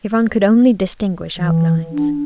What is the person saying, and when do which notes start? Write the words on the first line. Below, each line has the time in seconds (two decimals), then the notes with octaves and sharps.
Yvonne could only distinguish outlines.
1.36 E3
1.92 D4